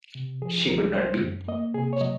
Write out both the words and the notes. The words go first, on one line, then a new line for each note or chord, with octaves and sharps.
She could not be.
C3
F3 G#4
C2 A#4
G#3 C5
F#2
A#3 D#5
C3 G#4
C#5
F#3 D#5